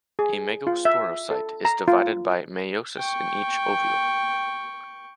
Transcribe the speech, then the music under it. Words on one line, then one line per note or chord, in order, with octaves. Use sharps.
A megasporocyte is divided by meiosis in each ovule.
G#4
F4
E5
A4
A#5
F4
G5 C#6